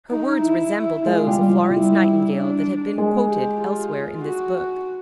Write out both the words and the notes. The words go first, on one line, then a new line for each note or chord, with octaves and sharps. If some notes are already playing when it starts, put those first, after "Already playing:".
Her words resembled those of Florence Nightingale that have been quoted elsewhere in this book.
D#4
E4
G#3 F4
G3
F3
G3 E4
D4
G#3
G4
F4
F#4